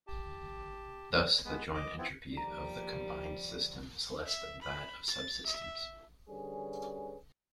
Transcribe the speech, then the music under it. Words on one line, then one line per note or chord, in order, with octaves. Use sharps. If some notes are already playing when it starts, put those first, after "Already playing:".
Thus the joint entropy of the combined system is less than that of subsystems.
G4 A5
G#3 B3 B4
D#5 D6
B3 C4 E4
D#2 F3 G3 G4 A#5
E5
B5
A6
E5
D3 G3 C#4 G#4 B4